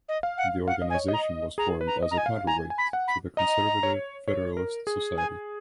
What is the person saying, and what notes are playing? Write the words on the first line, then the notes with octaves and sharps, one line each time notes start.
The organization was formed as a counterweight to the conservative Federalist Society.
D#5
F5
F#5
F5 F#5
D#5
G#5
C#5
D#5
A#5
G#4 A#5
B4
A#5
D#5
A#5
G#5
F5
G#5 A#5
G#5
B5
F#5
B5
D#5 A#5
C#5
C#5
A#4
G#4
G#5